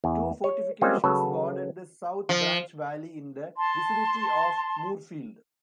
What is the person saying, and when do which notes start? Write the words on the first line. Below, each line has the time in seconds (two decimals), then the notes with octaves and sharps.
Two fortifications guarded the South Branch Valley in the vicinity of Moorefield.
0.04 E2
0.44 C#5
0.81 G3 G#3 A#3 C4 C#4 F4
1.04 C#3 F#3 A4 B4
2.29 F3
3.57 A5 C6